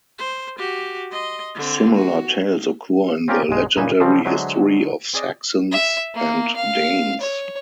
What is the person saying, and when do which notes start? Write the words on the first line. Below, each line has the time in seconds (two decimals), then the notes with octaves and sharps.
Similar tales occur in the legendary history of Saxons and Danes.
0.18 C5
0.57 F#4 G4
1.11 D#5 C6
1.55 D3 C4
1.95 F#4
3.28 C4 C#4 F4 G4 A#4 D5
3.49 B1 G2 G#3
3.76 F#2 A#2 C#3 D#4 B4 G#5
4.00 C#3 F3 G3 C4
4.25 D3 F#3 G#3 C5 E5
5.13 C4 G#4 D5 D#5
5.72 E5
6.15 A#3
6.56 F5
7.21 C#5